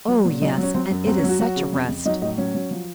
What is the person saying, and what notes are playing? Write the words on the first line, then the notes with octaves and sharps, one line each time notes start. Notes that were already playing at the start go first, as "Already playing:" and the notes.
'Oh yes! and it is such a rest.
F#3
A#2
F#3 D#4
F#3 C#4
F#3 C4
F#2
F#3 C4
C#4
F#3
F#4
F#3 F#4
C#3
F2
F2
F#3 D#4
A2 D#4
F#3 C#4
F#3
F3